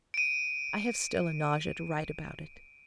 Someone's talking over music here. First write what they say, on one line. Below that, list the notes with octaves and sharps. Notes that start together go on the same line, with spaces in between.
I have still a nausea to write about it!
D7 D#7